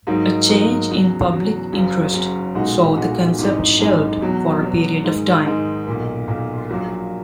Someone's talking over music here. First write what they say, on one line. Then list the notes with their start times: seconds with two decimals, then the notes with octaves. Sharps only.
A change in public interest saw the concept shelved for a period of time.
0.07 G#2 F#3 A#3 D#4
0.48 G#2 F#3 A#3 D#4
0.89 E2 C#3 F#3
1.31 E2 C#3 F#3
1.72 F#1 F#2 C#3 F#3 C#4
2.14 F#1 F#2 C#3 F#3 C#4
2.55 B1 A#2 G#3 D#4 F#4
2.96 B1 A#2 G#3 D#4 F#4
3.38 G#1 F#2 E3 G#3 D#4
3.79 G#1 F#2 E3 G#3 D#4
4.21 E2 B2 F#3
4.62 E2 B2 F#3
5.04 G#2 D#3 G#3
5.46 G#2 D#3 G#3
5.87 B1 A#2 A#3
6.28 B1 A#2 A#3
6.70 A#1 A#2 F#3 A#3